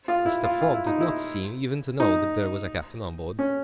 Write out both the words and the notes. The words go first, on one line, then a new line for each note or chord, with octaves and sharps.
Mr. Fogg did not seem even to know that there was a captain on board.
F4
E4
F4
F4
E4
D#4
E4
D#4
C#4